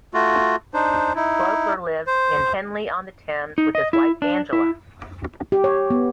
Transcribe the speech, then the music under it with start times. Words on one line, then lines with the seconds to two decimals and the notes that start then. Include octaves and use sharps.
Grobler lives in Henley-on-Thames with his wife Angela.
0.14 A3 F4 F#4
0.74 D4 D#4 C5
1.15 D#4 E4
2.07 C5
3.58 D#4
3.75 D#5
3.93 E4
4.22 D4
4.53 E4
5.52 G4
5.64 C#5
5.90 B3